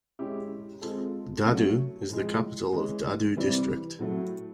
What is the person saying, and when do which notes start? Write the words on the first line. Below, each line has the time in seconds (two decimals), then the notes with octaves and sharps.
Dadu is the capital of Dadu District.
0.19 G#3 C#4 E4 G4
0.82 G#3 C4 F4 A4
1.46 F#3 A3 C#4
2.10 A2 F3 G#3
2.73 E3 G#3 C#4
3.36 C3 E3 G3 C4 E4
3.99 A2 F#3 A3